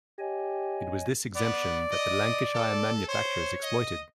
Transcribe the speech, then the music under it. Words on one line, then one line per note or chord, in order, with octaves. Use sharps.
It was this exemption that the Lancashire manufacturers exploited.
G4 C#5 D#5 G#5
B3 D5
D#5
A4
C5 C#5
D#5